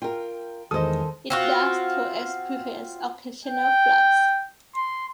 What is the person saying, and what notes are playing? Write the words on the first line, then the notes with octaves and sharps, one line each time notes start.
It does though experience occasional floods.
F4 A#4 G5
E2 D#3 G#3 A4 C5 D#5 D#6
C4 F4 F#4
G5
C6